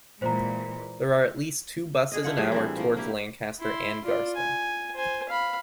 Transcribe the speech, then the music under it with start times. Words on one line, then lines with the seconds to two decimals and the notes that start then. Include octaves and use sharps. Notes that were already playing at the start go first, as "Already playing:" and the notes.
There are at least two buses an hour towards Lancaster and Garstang.
0.22 A#2 E3 G#3 C5 A#5
2.12 D3 G#4 D#5
2.24 D4 E4 F4 F#5
2.37 A2 F3 G3 G#4
2.52 E3 C4 D4
2.76 F3 A#3
2.97 A#3 E4 G4
3.60 E4 C6
4.05 F4 D5
4.35 G#5
4.95 C5 G#5
5.29 F5 B5